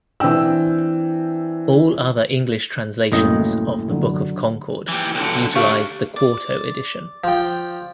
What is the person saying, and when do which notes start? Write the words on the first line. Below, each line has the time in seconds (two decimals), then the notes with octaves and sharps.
All other English translations of "The Book of Concord" utilize the quarto edition.
0.20 E3 C4 D4 G5 E6
3.12 C2 F#2 A2 A#3 D#5
3.89 D3 F#3
4.88 E3 G4
5.15 B1 D3
5.55 A3 D4 G4 F5 C#6
6.16 D5
7.24 F3 G5